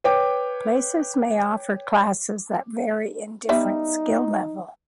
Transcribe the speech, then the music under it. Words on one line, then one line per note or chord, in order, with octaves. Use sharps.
Places may offer classes that vary in different skill level.
B4 C#5 G5 D6
G3 B3 D#4 E5